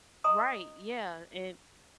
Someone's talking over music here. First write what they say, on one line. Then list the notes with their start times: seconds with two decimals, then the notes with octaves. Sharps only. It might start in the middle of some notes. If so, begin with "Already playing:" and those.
right, yeah, and
0.24 D#5 G#5 A#5 C6 D#6